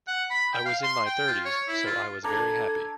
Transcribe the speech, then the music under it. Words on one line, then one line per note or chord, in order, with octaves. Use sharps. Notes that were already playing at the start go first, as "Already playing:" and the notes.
I was in my thirties, so I was very happy.
F#5
B5
G5
F5
C6
G5
F4
C#5
E4
F4
D4 A4 A#5 G#6